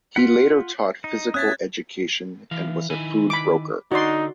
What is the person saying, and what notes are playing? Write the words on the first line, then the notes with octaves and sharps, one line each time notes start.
He later taught physical education and was a food broker.
F4 F#5 B6
D#4
C#4 E5 D#6 F#6 G#6 A6
E3 F5
D#3 E4 G#5
B5 D6
D3 D#4 F#4 D5 C6